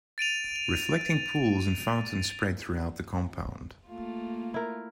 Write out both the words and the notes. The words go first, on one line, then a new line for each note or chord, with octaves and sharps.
Reflecting pools and fountains spread throughout the compound.
A6 D7 D#7 F7
A3 A#3 F4
E4 A#4